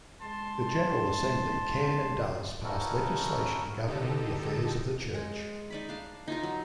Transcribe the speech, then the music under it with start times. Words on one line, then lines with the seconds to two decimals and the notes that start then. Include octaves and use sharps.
The General Assembly can and does pass legislation governing the affairs of the Church.
0.21 G#3 A5 C6
2.64 C#4 D#4 E4 F#4 A4 A#4
3.87 D3 D#4 G4 A4
5.14 G#3
5.70 D#4 D5 B5
5.89 D4 F5
6.28 D#4 F4 A#4
6.43 F#3